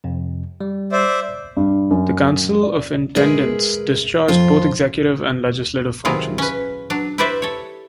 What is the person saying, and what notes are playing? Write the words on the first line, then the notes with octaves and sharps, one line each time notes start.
The Council of Intendentes discharged both Executive and Legislative functions.
F2 C3
G3
C5 D5 E5
G2
F#2
D5
G#3 G#4 A#4 B4 E5
F2 F4
C3 D#3 F#3 E4 F4 G#4
C#4 B4
F#3 D4
E4 G4 B4 C5 D5 E5
A4 C#5